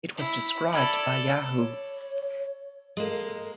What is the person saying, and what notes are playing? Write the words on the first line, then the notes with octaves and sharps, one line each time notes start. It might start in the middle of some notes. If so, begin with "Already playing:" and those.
It was described by Yahoo!
E4
A4 D5 B5 G#6
C#5
G#3 A#3 A4